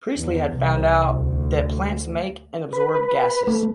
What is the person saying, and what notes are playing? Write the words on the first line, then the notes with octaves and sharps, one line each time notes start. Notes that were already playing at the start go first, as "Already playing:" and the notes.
Priestley had found out that plants make and absorb gases.
E2
C2
D2
B4
A3